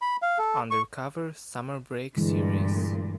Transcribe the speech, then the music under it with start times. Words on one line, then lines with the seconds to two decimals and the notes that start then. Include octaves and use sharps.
Undercover: Summer Break series.
0.02 B5
0.22 F5
0.38 A4
0.71 C#6
2.17 G2 A#2 D3 E3 G#3